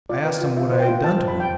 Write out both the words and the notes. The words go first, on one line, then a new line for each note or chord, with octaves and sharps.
I asked him what I had done to him.
F4 D5
B4
F4
F4 E5
C5
G5
F4
F4 A5
C5
B5
F4
G5